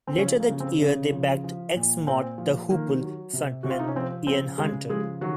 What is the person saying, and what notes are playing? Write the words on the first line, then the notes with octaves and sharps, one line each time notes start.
Later that year they backed ex-Mott the Hoople frontman Ian Hunter.
C4
C#3 F3 C#4
A#3
C#3
C4
C#3 C#4
F3
F3
A#2
A#2 C4
F3
D#3 A#3
F#3
C3
C3 F#4
F4
D#4
C#4
F3 C4
C#3 C4
C#3 G#3 G#4
F3 G#3 G#4
D#3 F#3 F#4